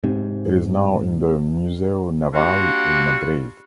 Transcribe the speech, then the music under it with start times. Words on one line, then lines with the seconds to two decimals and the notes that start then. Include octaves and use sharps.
It is now in the Museo Naval in Madrid.
0.04 G#2 C3
2.33 G3 A#3 D4 F4 F#4